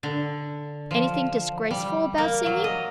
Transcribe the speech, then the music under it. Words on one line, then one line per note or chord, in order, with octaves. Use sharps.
"Anything disgraceful about singing?"
D3
F3
G3
A#3
F#3
D#5